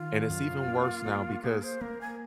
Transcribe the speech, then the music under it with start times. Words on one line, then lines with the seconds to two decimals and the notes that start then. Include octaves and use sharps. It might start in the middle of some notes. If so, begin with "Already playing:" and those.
And it's even worse now because
Already playing: D#3 F4
0.30 F#2
0.68 A#3
1.06 A#3
1.44 A#3 G#4
1.63 C5
1.81 A#3 A#4
2.01 G#5